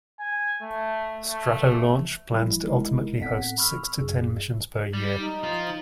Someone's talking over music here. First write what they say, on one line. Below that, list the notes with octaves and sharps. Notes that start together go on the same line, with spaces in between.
Stratolaunch plans to ultimately host six to ten missions per year.
G#5
A3
A3
E3 F3 G3 E4
G#3 D#4 E4 A#4
A2 B3 C4 A4 F#5 B6
B5 C#6 E6 F6
A1 F#2 G#4
G3
D#4
F3 F4